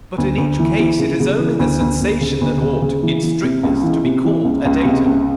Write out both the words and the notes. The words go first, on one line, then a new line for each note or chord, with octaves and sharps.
But in each case it is only the sensation that ought, in strictness, to be called a datum.
D2
D2
E3
E3
C#3
C#3
E3
D2
D2
D2
C#3
D2
C#3
C#3
E3
E3
C3
C#2
E3
C3
E3
C#2
C#2
C3
C#2